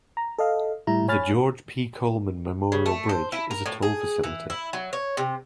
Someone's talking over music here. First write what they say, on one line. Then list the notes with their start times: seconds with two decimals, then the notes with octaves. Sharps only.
The George P. Coleman Memorial Bridge is a toll facility.
0.17 A#5
0.38 A4 D#5 F5
0.87 A2 G3 E4 A#5
1.08 C#5 G#5 B5 F6 A6
2.72 C#3
2.86 A3
3.09 C5
3.32 E4
3.51 A#4
3.66 A2
3.83 G#4
4.24 E3
4.50 E4
4.73 F#3
4.93 C#5
5.17 C3